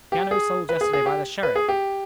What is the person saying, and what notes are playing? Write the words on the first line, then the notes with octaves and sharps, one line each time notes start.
Piano sold yesterday by the sheriff.
G4
G#4
B4
G#4
G#4
G4
B4
G#4
G4